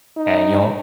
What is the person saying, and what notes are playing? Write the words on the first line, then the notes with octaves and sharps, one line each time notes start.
and you won't
D#4